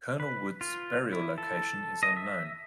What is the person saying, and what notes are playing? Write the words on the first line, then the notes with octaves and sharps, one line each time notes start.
Colonel Wood's burial location is unknown.
B4
F4
E4
A4
D#5
E5